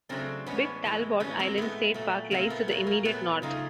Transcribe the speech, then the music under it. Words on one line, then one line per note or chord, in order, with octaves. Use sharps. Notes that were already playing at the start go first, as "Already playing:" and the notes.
Big Talbot Island State Park lies to the immediate north.
C#3 F#3 A3 C4 D4
A2 E3 G#3 B3 C#4
A2 E3 G#3
A2 E3 G#3 B3 C#4
A#3 C4
A2 E3 G#3 A3 B3
A#2 F#3 A3
A#2 F#3 A3 A#3 C4
A3 B3
A#2 F#3 A3 A#3
A#3
A#2 F#3 A3 B3
C#3 F#3 A3 D#4 F4